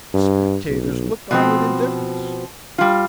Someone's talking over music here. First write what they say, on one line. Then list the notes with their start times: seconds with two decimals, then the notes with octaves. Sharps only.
The spectators looked on with indifference.
0.14 G2
0.68 B1
1.31 B2 F3 C4
2.78 G3 F4